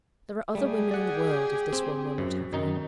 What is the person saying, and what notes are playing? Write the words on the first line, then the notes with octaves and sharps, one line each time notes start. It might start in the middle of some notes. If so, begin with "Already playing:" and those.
'There are other women in the world, if this one will not have you.'
G3 A3 G4 G#4
D5 F#5
C4
F#2
F#2 D#3 D#4